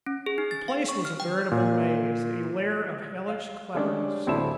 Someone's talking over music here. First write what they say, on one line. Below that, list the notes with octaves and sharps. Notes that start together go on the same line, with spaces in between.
The place was a veritable maze, a lair of hellish cleverness.
C#4
G#4
D#4
A6
F5
C#6
F6
G5
A#2
F5
G#3 A3 C#4 D4 G4
D1 C4 E4 A4 D5 E7